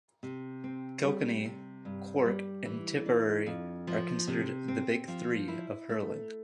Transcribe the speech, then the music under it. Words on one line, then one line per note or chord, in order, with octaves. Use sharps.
Kilkenny, Cork and Tipperary are considered "the big three" of hurling.
C3
C4
G3
C3
G2
G3
E3
D4
F2
F3
C3
C4
F3
E4
A3